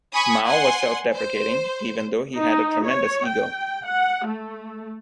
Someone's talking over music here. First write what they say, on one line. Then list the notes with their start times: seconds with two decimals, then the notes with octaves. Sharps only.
Mao was self-deprecating, even though he had a tremendous ego.
0.13 G#5 B5 C#6 D#6
0.45 F#5 G#5 C6
1.16 C5
2.37 D#4
2.85 C#5
3.27 G5
3.86 F#5
4.26 A3